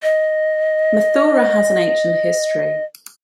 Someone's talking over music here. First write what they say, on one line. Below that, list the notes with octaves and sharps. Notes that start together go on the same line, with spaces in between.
Mathura has an ancient history.
D#5